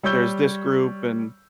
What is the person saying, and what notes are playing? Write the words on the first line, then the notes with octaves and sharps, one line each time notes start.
"There's this group and"
G3 C#5 C#6 E6 G6 G7